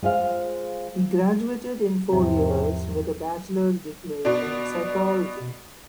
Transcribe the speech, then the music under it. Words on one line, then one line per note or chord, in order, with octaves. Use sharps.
He graduated in four years with a bachelor's degree in psychology.
G#3 F4 C5 F5
E2 G#2 C3 F3
B2 D4